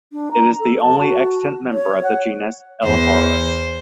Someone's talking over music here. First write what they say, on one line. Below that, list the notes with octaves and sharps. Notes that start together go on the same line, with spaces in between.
It is the only extant member of the genus "Elaphurus".
D4
A#5
A4
A5
F#4
C#5
F#5
E2 C5